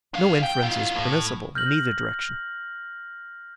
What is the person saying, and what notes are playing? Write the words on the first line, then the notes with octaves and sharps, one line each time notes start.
No inference is permissible in either direction.
D4 F5
G5
E4 F4
A2
F6 G6 A#6 F#7